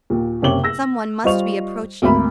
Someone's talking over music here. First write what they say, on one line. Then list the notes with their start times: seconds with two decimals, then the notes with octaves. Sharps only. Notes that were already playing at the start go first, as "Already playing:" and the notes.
Some one must be approaching.
0.10 D#2 A#2
0.42 F#1 C3 C#4 D6 F#7 G7
0.64 E6 A#6
1.24 G3 F4 C5 D#5 C#6 F7
2.02 G#1 D2 A#3 B5